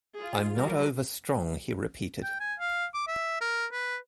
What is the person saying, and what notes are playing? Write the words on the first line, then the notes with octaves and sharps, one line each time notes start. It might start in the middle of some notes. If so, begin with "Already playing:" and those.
"I'm not over strong," he repeated.
F4 G#4
F#3 G3 A#4
G5
G#5
F5
D6
E5
A#4
B4